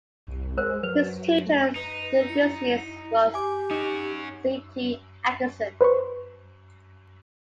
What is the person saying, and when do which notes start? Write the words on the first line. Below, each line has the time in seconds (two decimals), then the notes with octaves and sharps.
His tutor during these years was C. T. Atkinson.
0.28 C2
0.58 G#3 A#4 C5
0.83 F#3 B4
1.46 A3
1.76 D#4 B4
2.29 E4 C#7
3.34 G4 G#5 D6
3.71 C#4 D#4 F#4
5.81 B4 C5 B5 C#6